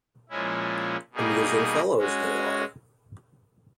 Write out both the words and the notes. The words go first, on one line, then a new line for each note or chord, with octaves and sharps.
Amusing fellows, they are.
A#2 F3 G#3 C#4 E4
B2 G3 A#3 D#4 G#4
G#3 C#4 F#4